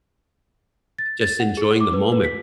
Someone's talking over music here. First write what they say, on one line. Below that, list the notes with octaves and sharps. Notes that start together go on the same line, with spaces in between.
just enjoying the moment.
A6
A6
F#5
G#4
D6
B4
B4
B6